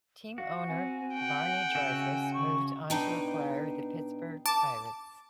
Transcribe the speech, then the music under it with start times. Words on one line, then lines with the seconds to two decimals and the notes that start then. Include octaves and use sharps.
Team owner Barney Dreyfuss moved on to acquire the Pittsburgh Pirates.
0.38 F#4 F5
0.68 C4 G#5
1.13 F#5 G5
1.75 C#3 F#4 E5 G#5
2.33 C#6
2.90 B2 E3 D4 D#4 G5
4.46 A5 D6